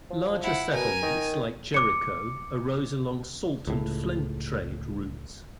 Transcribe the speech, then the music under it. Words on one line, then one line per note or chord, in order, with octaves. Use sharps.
Larger settlements like Jericho arose along salt and flint trade routes.
F3
E4 F#5
B2 A#4 G#5
D#3
D6 C#7
C#2 A2